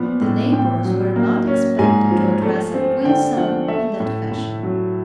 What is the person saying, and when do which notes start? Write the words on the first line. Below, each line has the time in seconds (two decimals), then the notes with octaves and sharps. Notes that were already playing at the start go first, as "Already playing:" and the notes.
The neighbors were not expected to address a Queen's son in that fashion.
Already playing: A#2 F3 B3
0.21 A2
0.53 A2 G5
0.84 F#3
1.16 A#3
1.47 C#4
1.79 G#2 G#5
2.11 F3
2.42 A3
2.74 C4
3.05 D3 G5
3.37 F3 F#5
3.68 A3 E5
4.00 A2
4.31 A2
4.63 F#3